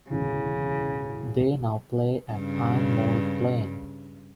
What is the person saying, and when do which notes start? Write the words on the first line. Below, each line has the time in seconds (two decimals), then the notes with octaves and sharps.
They now play at Ironmould Lane.
0.10 E1 A1 D2 C#3
2.32 G2 C#3